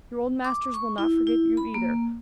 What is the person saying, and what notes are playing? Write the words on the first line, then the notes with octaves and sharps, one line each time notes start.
Your old masters will not forget you either.
D6
C#6
E4
E4
B5
A#3